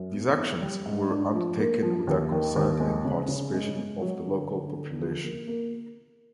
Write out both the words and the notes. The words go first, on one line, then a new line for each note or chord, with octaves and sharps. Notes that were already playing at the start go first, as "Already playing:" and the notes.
These actions were undertaken without consent and participation of the local population.
Already playing: F#2
B3
E3
G3
G#2
D4
F3
A#3
F3
D#2
D#3
D#2
G#3
C#3
C#3
G#3
G#3
F#3
D3
D3
D3
F3
A#3
A#3